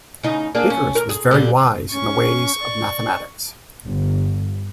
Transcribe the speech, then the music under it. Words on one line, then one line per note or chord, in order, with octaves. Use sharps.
Biggers was very wise in the ways of mathematics.
C#3 D#4
A#3 D4 G#4
C#4
A#4
G#4
A#2 D3 G3
C#4 C#6
D5
G1